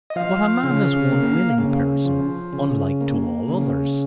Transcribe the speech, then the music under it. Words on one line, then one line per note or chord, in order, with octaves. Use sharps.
'But a man is one willing person, unlike to all others.'
D#5
F3 F5
C#3
A#3
C#3
F3
C#3
A#3
C#3